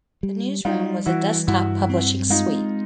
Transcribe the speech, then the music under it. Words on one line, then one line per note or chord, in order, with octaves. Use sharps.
"The Newsroom" was a desktop publishing suite.
G3
G3 D#4 F4
E3 E4 F#4
G2 E4 F#4
C4
G#3 D#4 F4